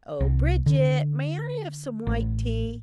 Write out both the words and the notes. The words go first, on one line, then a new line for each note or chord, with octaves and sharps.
"O, Bridget, may I have some white tea?"
C2
D3
A1